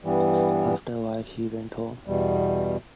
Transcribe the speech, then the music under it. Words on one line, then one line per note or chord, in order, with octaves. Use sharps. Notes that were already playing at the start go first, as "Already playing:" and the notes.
After a while she went home.
G2 E3 G3 B3
E2 B2 G3